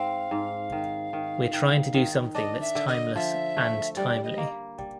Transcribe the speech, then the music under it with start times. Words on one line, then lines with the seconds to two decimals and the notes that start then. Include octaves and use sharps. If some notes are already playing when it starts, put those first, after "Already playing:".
We're trying to do something that's timeless and timely.
Already playing: G#2 C4 F5
0.31 G#2
0.72 D#3
1.13 D#3
1.53 D#3
1.94 D#3
2.35 D4 D#5
2.61 E5
2.75 D3
2.88 D#5
3.16 F3 E5
3.57 A3
3.97 G3 D5
4.24 D#5
4.38 A#3
4.78 G3